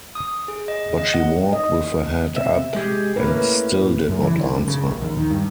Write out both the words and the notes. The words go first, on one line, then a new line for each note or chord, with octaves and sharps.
But she walked with her head up, and still did not answer.
D#6
G#4
D#5
D#5
F#5
D#5
C3 E5
G#3 G4 G#4
A2 A#3 C#4 B4
F#2
E3
D3
F#1
C#3
A#1
D#2
D#3
G2